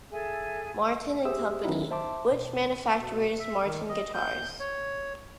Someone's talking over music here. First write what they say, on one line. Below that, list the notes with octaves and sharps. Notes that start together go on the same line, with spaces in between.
Martin and Company, which manufactures Martin guitars.
G#4 A4 E5 G#5
G4 G#4 C5 E5 D#6 E6
D#3 F#3 B3 C#4 D#4 E4
C5 E5 A5 C6 D6
B2
B2
E5
D#3
D#5
G6
C#5